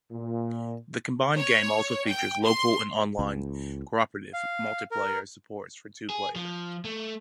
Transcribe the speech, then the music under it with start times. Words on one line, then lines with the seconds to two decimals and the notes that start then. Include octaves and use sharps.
The combined game also features local and online cooperative multiplayer support for two players.
0.11 A#2
1.38 C#5
2.09 G5
2.45 C6
3.19 C#2
4.33 F5
4.91 A#4
6.10 G#4
6.36 F3
6.85 A3